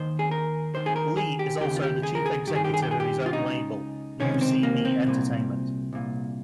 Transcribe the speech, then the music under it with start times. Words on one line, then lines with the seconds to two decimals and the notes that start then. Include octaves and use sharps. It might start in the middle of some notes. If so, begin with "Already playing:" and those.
Lee is also the chief executive of his own label, U C Me Entertainment.
Already playing: D#2 D#3 C5
0.19 G#4
0.31 A#4
0.74 D#2 D#3 C5
0.86 G#4
0.96 A#4
1.17 G#4
1.39 G4
1.60 D#2 C#3 G4
1.76 F4
1.82 G4
2.03 G#4
2.15 A#4
2.26 G#4
2.47 G2 D#3 G4
2.56 G#4
2.65 G4
2.74 G#4
2.82 G4
2.91 G#4
3.00 G4
3.26 F4
3.33 C#2 C#3 D#4
4.20 C#2 C3 D#3 C#4
4.41 C4
4.63 A#3
4.85 C4
5.07 C2 A#2
5.93 C2 A#2